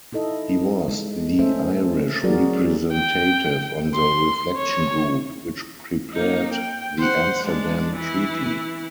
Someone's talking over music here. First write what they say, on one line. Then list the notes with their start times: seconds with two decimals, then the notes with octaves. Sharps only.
He was the Irish Representative on the Reflection Group which prepared the Amsterdam Treaty.
0.13 D#4 E4 A4 D#5
0.88 G#3
1.39 A3 C#4 A4 C5 E5
2.24 F#3 F#4 G#4 A#4 D5
2.93 G5
3.95 C6
4.57 C#5
6.13 A#3 D#4
6.53 G5
6.98 C5 F#5
7.44 G#3 D4
7.95 E3 E4